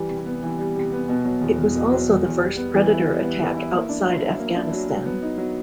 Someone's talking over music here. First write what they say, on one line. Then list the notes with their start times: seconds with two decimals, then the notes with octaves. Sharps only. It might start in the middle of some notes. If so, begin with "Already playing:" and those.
It was also the first Predator attack outside Afghanistan.
Already playing: E3 G3
0.10 C3
0.26 B3
0.43 E3
0.58 G3
0.76 C3
0.92 B3
1.08 B2
1.25 F#3
1.41 E2
1.58 E2
1.75 B2
1.92 F#3
2.08 E2
2.24 E2
2.41 G3
2.57 B3
2.74 E3
2.90 E4
3.07 G3
3.24 B3
3.40 E3
3.57 E4
3.74 A#3
3.89 D4
4.05 F#3
4.22 F#3
4.39 A#3
4.56 D4
4.73 F#3
4.89 F#3
5.05 B3
5.22 D#4
5.38 F#3